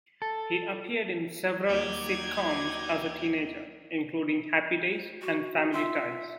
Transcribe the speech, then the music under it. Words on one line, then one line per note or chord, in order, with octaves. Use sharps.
He appeared in several sitcoms as a teenager, including "Happy Days" and "Family Ties".
A4
D#2 F#3 D#4 G4 D5 G#6
F#4
F4 E5 C6 E6